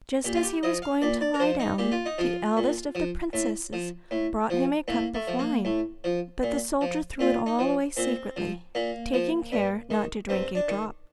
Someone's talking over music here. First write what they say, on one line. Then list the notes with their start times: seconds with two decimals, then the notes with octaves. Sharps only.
Just as he was going to lie down, the eldest of the princesses brought him a cup of wine; but the soldier threw it all away secretly, taking care not to drink a drop.
0.24 A#2 G4
0.35 F4
0.43 G4
0.63 F3 D#5
0.82 F5
1.02 A#2 D5
1.21 D5
1.34 A#4
1.40 F3 C5
1.60 D#4
1.78 A#2 G4
1.92 F4
2.06 D#4
2.18 F3 F4
2.57 A#2
2.95 F3
3.33 A2
3.73 F3
4.11 A2
4.50 F3
4.88 A2 A#3
5.15 A3
5.27 F3
5.39 A#3
5.65 A2
6.04 F3
6.43 A#2
6.81 F3
7.19 A#2 F4
7.46 D#4
7.59 F3
7.97 A#2 C4
8.36 F3
8.75 A#2 A#3
9.14 F3
9.52 G2
9.90 D#3
10.29 G2 C4
10.55 D4
10.68 D#3